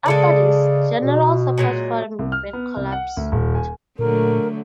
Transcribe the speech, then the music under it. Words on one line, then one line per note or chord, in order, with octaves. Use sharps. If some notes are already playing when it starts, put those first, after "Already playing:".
After this, general support for the movement collapsed.
C#3 G#3 A4 D5
B2
A#2 F#3 G#3
C2
F6
B3
C2
F#5
D2
D#1
G#5
A#2 D3 F#3 A3 A#4